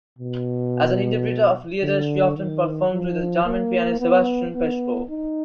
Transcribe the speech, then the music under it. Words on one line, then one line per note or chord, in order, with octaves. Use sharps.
As an interpreter of Lieder, she often performed with the German pianist Sebastian Peschko.
B2
D3
D#3
F3
A#3
B3
B3
D#4